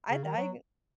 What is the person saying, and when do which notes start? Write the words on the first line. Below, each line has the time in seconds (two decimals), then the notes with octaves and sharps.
I I
0.10 C#3
0.24 D#3
0.37 F#3